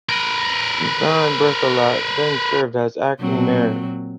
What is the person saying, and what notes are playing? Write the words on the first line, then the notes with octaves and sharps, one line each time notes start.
Yvan Berthelot then served as acting mayor.
A#4 B4
A#2 F#3 C4